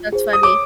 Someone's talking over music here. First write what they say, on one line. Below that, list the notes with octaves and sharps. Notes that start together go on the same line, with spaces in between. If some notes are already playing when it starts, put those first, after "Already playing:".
That's funny.
Already playing: F4
G#4 C5
D#6
C#5 D6